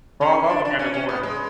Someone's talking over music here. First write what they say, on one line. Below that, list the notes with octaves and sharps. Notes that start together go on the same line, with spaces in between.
Bro, I love The Mandalorian.
C#4
D4
D4
C#4
C#4
B3
G#3